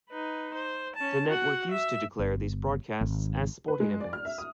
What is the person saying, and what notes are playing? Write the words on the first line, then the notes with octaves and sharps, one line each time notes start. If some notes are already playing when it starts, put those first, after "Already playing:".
The network used to declare these broadcasts as sporting events.
D#4 B4
C5
C#4 A5
F#4 F#5
E5
G1
G#1
B4
G#3
D5
F6
E5
D#6